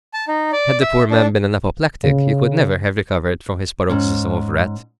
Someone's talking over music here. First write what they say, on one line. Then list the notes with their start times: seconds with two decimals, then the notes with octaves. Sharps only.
Had the poor man been an apoplectic, he could never have recovered from his paroxysm of wrath.
0.14 A5
0.28 D#4
0.52 D5
0.81 E5
1.11 D4
2.04 C#3
3.89 G#2 C#4